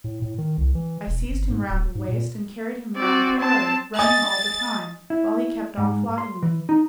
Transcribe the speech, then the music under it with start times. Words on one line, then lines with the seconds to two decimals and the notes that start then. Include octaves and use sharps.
I seized him round the waist and carried him round the parlour, running all the time, while he kept on flogging me.
0.04 A2
0.22 A2
0.38 D#3
0.58 C2
0.75 E3
1.07 E1
1.30 G1
1.50 G#2
1.70 D1
1.95 G#2
2.08 A#2
2.97 C4 F#4 D5
3.40 C4 A5
3.99 D#5 G#5 D#6 A6
5.10 E4
5.78 G#2
6.18 C6
6.43 E3
6.69 D#4